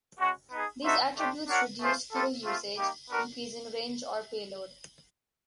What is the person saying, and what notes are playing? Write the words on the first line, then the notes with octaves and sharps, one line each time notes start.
These attributes reduce fuel usage, increasing range or payload.
G#3 C#4 F#4
B3 D#4 G#4
D#4 F#4 A4 C5 E5
A3 D4 G4 C5
D4 F#4 A#4 C#5 F#5
A3 C#4 F4 G#4 C5
G3 C4 F4 A4
A3 C4 F4
G3 A#3 D#4 G4
B3 D4 F#4 A#4